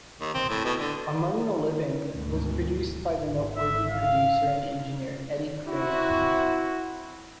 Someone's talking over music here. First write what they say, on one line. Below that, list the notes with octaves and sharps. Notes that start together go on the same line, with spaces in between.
"Among the Living" was produced by the noteworthy producer and engineer Eddie Kramer.
D#2
C4
A2
B2
D3
D2 G#2 B2
G#1
E5
F5
C4 E4 F#4